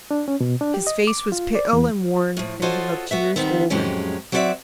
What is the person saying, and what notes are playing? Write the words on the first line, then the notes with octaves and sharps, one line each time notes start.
His face was pale and worn and he looked years older.
D4
C#4
B2
D4
G4
D#5
D6
F4
D5
E2
A2 F3
F4 F#4 A4 C5 C#5 D#5
B3 F#4 E5
D#3 G3 B3 C4
F2 A2 F#3 G#3 C#4 G4
F#3 C4 F#4 G4 D5 E5